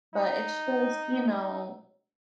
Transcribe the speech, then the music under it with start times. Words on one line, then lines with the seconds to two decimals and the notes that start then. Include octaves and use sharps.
But it's just, you know,
0.14 D#4
1.29 D#4